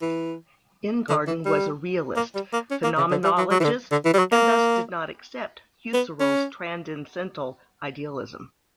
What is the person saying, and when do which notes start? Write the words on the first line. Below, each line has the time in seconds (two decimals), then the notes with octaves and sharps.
Ingarden was a realist phenomenologist, and thus did not accept Husserl's transcendental idealism.
0.02 E3
1.09 D3
1.27 E3
1.45 G3
2.17 A#3
2.35 G3
2.53 A#3
2.71 C#4
2.84 A#3
2.97 C#3
3.11 D3
3.24 G3
3.38 F#3
3.51 F#3
3.60 E3
3.64 D3
3.92 D3
4.05 E3
4.14 G3
4.19 F#3
4.32 A#3
5.94 B3
6.20 C#4